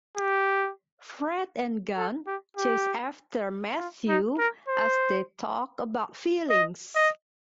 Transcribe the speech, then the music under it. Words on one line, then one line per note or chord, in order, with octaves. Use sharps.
Fred and Gunn chase after Matthew as they talk about feelings.
G4
A4
G4
G4
F4
D#4
A#4
C5
D#5
D#5